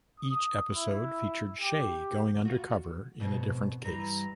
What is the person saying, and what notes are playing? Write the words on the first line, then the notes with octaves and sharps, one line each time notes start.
Each episode featured Shay going undercover in a different case.
D#6
E4
G4
F4 F#4
F2 G#2 B2
G2 E3 A#5